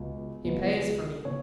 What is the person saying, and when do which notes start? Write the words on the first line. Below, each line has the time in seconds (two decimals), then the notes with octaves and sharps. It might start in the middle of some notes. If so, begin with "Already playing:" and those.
"He pays for me."
Already playing: C#2 B2 B3
0.44 C#2 B2 B3
1.25 C#3 C#5